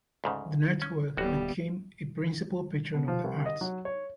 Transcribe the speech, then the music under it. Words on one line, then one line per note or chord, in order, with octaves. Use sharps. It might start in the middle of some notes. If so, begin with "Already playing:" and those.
The network became a principal patron of the arts.
D2 G#2 C#3
C#4
D1 A1 G3 B3 F#4
B2
F3
C2
D#5
F#3
C#5